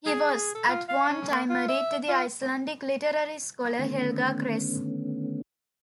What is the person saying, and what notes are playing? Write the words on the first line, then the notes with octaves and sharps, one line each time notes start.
He was at one time married to the Icelandic literary scholar Helga Kress.
G#4
A4
F4
F5
C#4
A#3
F4
E5
F4
D3 D#3 A3 B3 C#4